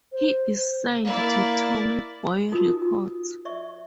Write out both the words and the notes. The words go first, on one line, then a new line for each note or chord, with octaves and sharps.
He is signed to Tommy Boy Records.
C5
A#3 E4 D5
D#4 F4 F#4 A#4 G#5 D#6
D5 E5 C#6